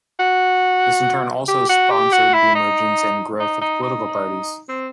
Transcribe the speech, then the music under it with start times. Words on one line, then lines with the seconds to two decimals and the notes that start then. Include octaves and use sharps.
This in turn also sponsored the emergence and growth of political parties.
0.20 F#4
1.48 G4
1.69 F#4
1.90 G4
2.12 F#4
2.34 E4
2.55 D#4
3.40 D#4
3.62 D#4
3.83 D#4
4.69 C4